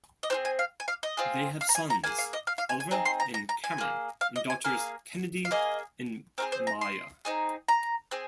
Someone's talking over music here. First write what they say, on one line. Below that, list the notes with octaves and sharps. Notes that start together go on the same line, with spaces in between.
They have sons - Oliver and Cameron, and daughters Kennedy and Maya.
D#5
C4 F4 G#4 C5
G#5
F5
G#5
F5
D#5
C4 F4 G#4
F5
A#5
G#5
A#5
A#3 G#4 G#5
F5
D#5
F5
F5
G#5
G#5
C4 D#4 G#4 A#5
C6
A#5
A#5
A#5
G#5
A#3 G#4
F5
D#5
G#5
A#3 G#4 F5
F5
A#3 G#4 D#5
C4 F4 G#4 A#4
C5
A#5
C6
C4 D#4 G#4
A#5
C4 G#4